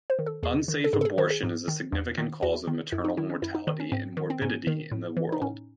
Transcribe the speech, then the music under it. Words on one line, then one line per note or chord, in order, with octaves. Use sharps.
Unsafe abortion is a significant cause of maternal mortality and morbidity in the world.
C5
D#3
A4
E2 G#4
D#3
A4
G#2 G#4
A4
G#4
D#3 C5
G#4
G#2
D#3
E2
D#3
E2 F#4
D#3
F#2 E4
D#4
D#3 E4
C#4
F#2 E4
D#4
D#3
C#4
G#2 C4
D#3
C4
G#2 C#4
D#3
A2
E3
D#4
A2 C#4